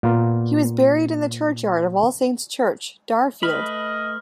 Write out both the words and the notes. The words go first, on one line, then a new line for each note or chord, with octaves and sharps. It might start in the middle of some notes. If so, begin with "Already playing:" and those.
He was buried in the churchyard of All Saints Church, Darfield.
A#2 A#3 B3 F4 A#4
A3 B4 D#5 B5 F6